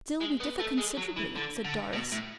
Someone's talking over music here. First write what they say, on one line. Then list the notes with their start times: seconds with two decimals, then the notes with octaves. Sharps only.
"Still we differ considerably," said Doris.
0.20 G#3
0.40 B3
0.59 A3
0.78 G#3
0.97 F#3
1.16 E3
1.35 D3
1.64 D3
1.93 B2
2.12 A2